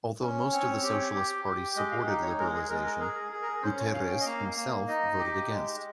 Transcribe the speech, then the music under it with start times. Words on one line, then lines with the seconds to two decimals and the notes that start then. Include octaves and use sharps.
Although most of the Socialist Party supported liberalization, Guterres himself voted against.
0.21 C#4
0.52 C4 C#5
0.83 G4
1.14 G4
1.45 G4
1.76 G#3 D#5
1.91 F5
2.07 D#4
2.23 C#5
2.38 G#3 A#4
2.54 G#4
2.69 G#3 A#4
2.85 A#4
3.00 G#4 A#4
3.32 G#4
3.42 A#4
3.63 C#4 C5
3.79 C#5
3.94 C#4 F5
4.10 G5
4.20 D#5
4.25 A#3 F5
4.56 A#3
4.88 D#4 D#5
5.18 G4
5.50 G#3